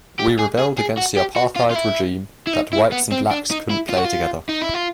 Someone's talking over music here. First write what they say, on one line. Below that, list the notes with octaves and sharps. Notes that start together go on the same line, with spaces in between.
We rebelled against the apartheid regime that whites and blacks couldn't play together.
G4
G#4
G#4
G#4
F#4
G4
F#4
F4
F4
E4
E4
D#4
E4
B3
C4
D4
D#4
E4
F4
F#4
F4
D#4
E4
F4